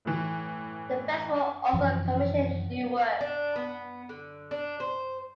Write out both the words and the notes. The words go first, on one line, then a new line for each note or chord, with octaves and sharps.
The Festival also commissioned new works.
A2 E3
F#2 C3 E3 F3
D4
B3
D3
D4
C5